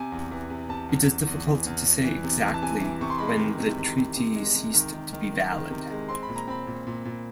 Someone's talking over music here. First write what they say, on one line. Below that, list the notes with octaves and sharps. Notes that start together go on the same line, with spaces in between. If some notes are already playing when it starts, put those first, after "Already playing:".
It is difficult to say exactly when the treaty ceased to be valid.
Already playing: C3 G#5
E2
E3
C3
C3 A5
E2
C3
E2
E3
E2
E2
E3
C3
E3
A5
C3 G#5
E3
C3 C#6
C6
G#3 B5
C6
D#3
C3
C3
C3
C3
G#3
C3
D#3
D#3
D#3
D#3
D#3
C3
G#3
C4 C6
B5
A#2
A#5
C4 B5
A#2
A#2
A#2